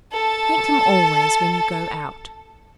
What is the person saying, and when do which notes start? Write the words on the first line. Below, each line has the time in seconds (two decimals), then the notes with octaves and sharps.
Thank him always when you go out.
0.13 A4 A5